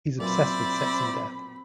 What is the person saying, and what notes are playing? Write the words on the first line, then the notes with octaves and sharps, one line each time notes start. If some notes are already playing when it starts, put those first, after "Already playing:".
He's obsessed with sex and death.
B1 F#2 A#2 C4 E4 C5 D5 B5